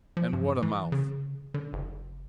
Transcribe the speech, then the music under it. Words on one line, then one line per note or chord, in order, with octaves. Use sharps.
And what a mouth!
F3
G2
E3
C#3
D3
F#1